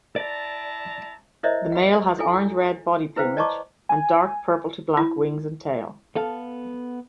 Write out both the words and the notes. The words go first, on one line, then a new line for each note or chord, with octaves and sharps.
The male has orange-red body plumage, and dark purple to black wings and tail.
E4 D5 A5 A#5
E4 A#4 C5 C#5 D#5 E5
F#5 B5
E4 F4 A4 G#5
E4 B4 C5 F5 G5
D5 D#5 A5 A#5 C#6 D6
G#5
E4
B3 A4 F5